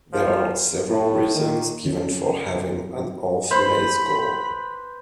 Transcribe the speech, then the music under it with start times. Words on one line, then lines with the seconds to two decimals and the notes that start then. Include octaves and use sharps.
There are several reasons given for having an all-female school.
0.13 F3
0.89 A2
1.35 D#3
1.85 C#3
3.51 B4 C5 B5 C6